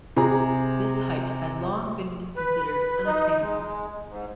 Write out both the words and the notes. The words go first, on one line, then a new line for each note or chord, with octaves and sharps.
This height had long been considered unattainable.
C3 G#4 A#5
B4
D#4
G#3
G#2